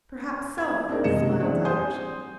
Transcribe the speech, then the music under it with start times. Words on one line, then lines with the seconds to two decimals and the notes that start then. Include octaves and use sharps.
"Perhaps so," smiled Alyosha.
0.58 G#6
0.89 C4 D4 D#4 G#4 A#4
1.04 F#1 C3 G#3 D#5 C#7 E7
1.40 E3 C4 D4 G#4 C5
1.65 C5 G#5 C6 D#6 G6